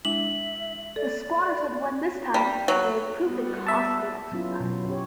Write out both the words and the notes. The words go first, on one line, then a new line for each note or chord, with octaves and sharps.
The squatters had won this time, but it had proved a costly exercise.
G#3 D4 E4 E5 F#7
A4 D5
G3
F#3
G3 B3
E5 A5
F#3 B3 C#4 E4 F4
B2 F#3
C#4 G4 C#5